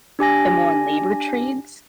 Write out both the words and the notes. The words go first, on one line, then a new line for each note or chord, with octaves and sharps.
the more labor trades,
D4 G4 G#5 A#6